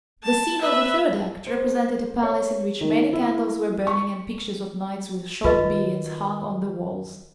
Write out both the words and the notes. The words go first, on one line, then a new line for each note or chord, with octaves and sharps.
The scene of the third act represented a palace in which many candles were burning and pictures of knights with short beards hung on the walls.
A5
B4 E5
C5
C#5
D#3
E4
C#6
D#3 F4 B4 D#5